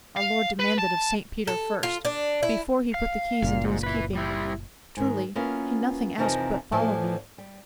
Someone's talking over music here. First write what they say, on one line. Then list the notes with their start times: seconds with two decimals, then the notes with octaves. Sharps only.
Our Lord demanded of Saint Peter first, Before he put the keys into his keeping? Truly he nothing asked but 'Follow me.'
0.16 F5
0.59 B4
0.78 A5
1.47 A4
1.83 F4
2.05 D4
2.43 E4
2.94 F5
3.42 F#1 A#2
3.64 G#2
3.83 E4 B4
4.15 G3 E4
4.97 G#2 D#3
5.35 A#3 B3 C#4 E4 F4 B4
6.18 F2 C3 E3 F3 D#4 A#4
6.72 E2 A2 E3 F3 D4
7.38 G3